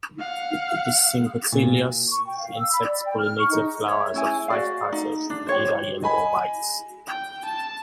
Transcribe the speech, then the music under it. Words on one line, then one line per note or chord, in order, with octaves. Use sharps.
The sympetalous, insect-pollinated flowers are five-parted and either yellow or white.
F5 F#5
A#2
C#6
G5
F5
E6
B5
D5
G5
F6
C#6
D#4
C#5 E5
C#4 E4 G#5
F#4 D5 F5
D#4
D4
C5 C#5 G5
D#5 G#5 B5
G5
A5